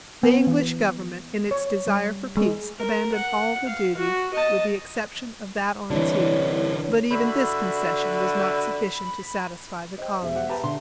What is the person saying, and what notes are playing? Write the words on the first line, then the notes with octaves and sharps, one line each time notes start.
The English government, in its desire for peace, abandoned all the duties with the exception of that on tea; but even this concession was not sufficient to satisfy the colonists.
B3
E3
C#5
G3
G#3
A#4
F#5
F5
F#4
D#5 A5
C2 D3 E3 D4 D#4 C#5
D3 F#4 E5 B5
C5 D#5 G5
E1 G#4 C5 E5
G4 F#5
G4 B4 A5 A#5
D3 A5 C6